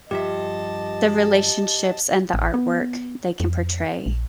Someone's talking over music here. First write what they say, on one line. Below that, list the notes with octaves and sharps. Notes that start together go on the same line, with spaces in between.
the relationships and the artwork they can portray,
G2 F3 G4 D#5 E5 A5
A1
B3
F2
A#1